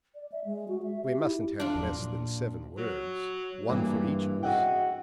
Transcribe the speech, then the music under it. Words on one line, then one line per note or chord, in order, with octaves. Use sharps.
"We mustn't have less than seven words, one for each of us."
D5
E5
G#3
F#4
E5
G4
E4
D4 F4
E2 F3 F#3
A#2
F#3
G2 E3 A#3 D4
F#4 G#4 D#5 E5 F#5 G5